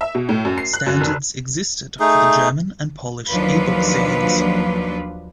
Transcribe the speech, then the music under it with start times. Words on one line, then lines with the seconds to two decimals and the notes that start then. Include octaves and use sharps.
Standards existed for the German and Polish ebook scenes.
0.01 E5
0.15 B2
0.29 A2
0.45 F#2
0.58 C7
0.73 F#6
0.86 F#2
1.01 F1
2.00 A3 D#4 G#4
3.30 D#2 F3 F#3 D4 F4 B4